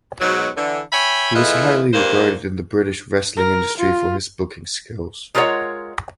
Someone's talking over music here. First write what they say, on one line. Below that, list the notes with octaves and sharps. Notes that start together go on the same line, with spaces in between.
He was highly regarded in the British wrestling industry for his booking skills.
G#2 B2 F#3
D3 E3
C#5 E5 G5 G#5 B5
E3 G#3 A3 E4 F4 D#5
G2 A#2 G#3 A#3 C5
A#4
F4
G#3 F4 A#4 B4 C#5 F#5